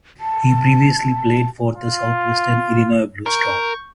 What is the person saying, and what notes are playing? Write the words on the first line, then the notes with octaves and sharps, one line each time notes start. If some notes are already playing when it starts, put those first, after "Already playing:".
He previously played for the Southwestern Illinois Blue Storm.
A5
F4
A#4 C#6 G6